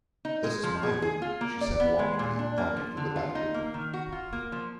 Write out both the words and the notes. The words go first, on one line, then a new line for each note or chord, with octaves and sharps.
"This is my room," she said warningly, pointing to the bedroom.
D#4
G#3
F3
G#4
G#4
F4
A#3
D5
B3
G#3
A#2
D4
A#3
F3
D3
F4
D#4
A#3
D#3
F#4
F4
A#3
F3